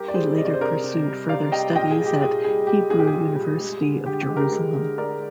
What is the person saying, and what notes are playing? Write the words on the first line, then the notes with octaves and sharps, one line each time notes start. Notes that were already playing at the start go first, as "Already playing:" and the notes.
He later pursued further studies at Hebrew University of Jerusalem.
Already playing: G3 G4 A#4
D5
G3 G#4 C5
C3 D#5
D5
C5
C3 A#4 D5
C3
G3
C3 D5 F5
G3 D#5 G5
A#2 D#5 G5
G#4
G3
G4
A#2 G#4
G3 G#4
G3 G4
A#2 G#4
G4
G#4
A#2
G3
G#3
D3
D3 G4
G4
G#3
G4 A#4
G#3
D3
G#3 A#4 D5